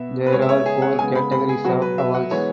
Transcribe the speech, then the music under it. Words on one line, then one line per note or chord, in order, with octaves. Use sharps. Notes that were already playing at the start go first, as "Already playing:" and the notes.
There are four categories of awards.
Already playing: B2 B3 E5
B4
C#3 G#3 B3 C#5
E5
C#5
G#4
F#5
C#3 G#3 B3 G#5
B5
B5
G#4
B2 F#3 B3 F#4
B4
E5
F#5
E3 G#3 B3 C#5